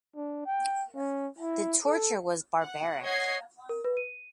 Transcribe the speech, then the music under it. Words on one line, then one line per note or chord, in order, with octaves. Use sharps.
The torture was barbaric.
D4
G5
C#4
E4
A4
F#5
C#5 D#5 F#5 G#6 C7
A#4
B4
D#7